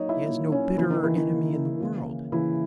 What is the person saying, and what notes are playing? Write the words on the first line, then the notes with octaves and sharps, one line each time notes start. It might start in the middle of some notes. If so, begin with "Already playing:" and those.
He has no bitterer enemy in the world!
Already playing: A#2 F#3 A#3 D#4 C#5 D#5
E4 E5
A#2 F#3 A#3
C#4 C#5
C#3 E3 A#3 E4
D#3 D#4
E3 E4
D#3 D#4
C#3 E3 A#3
C#3 E3 A#3
C#3 E3 A#3 E4